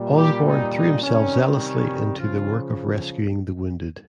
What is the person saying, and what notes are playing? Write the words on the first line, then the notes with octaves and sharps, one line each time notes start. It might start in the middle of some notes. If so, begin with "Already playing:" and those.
Osborne threw himself zealously into the work of rescuing the wounded.
Already playing: A#2 G3
G4
D#4
D#4
C3 D#3 G3 C#4
C#4
C#3 F3 F4